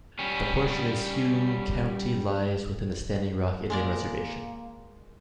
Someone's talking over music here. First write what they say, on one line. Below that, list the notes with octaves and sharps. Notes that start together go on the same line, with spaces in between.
The portion in Sioux County lies within the Standing Rock Indian Reservation.
G3 C#4
G#3 A#3 A#4 D5